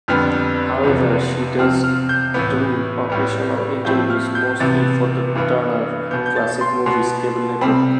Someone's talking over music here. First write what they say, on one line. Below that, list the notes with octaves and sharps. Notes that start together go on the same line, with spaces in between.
However, she does do occasional interviews, mostly for the Turner Classic Movies cable network.
F2 D3 G3 B3 F6
E2 C3 F3 B3
C3 F3 C4 F6
F6
G6
A2 E3 B3
A2 G3 B3
A2 F3 A3 C4 G6
F6
G6
C3 E3 B3 A6
G2 E3 B3
B2 B3 G6
G6
A6
C6
B2 B3 C6
C3 G3 C4 B5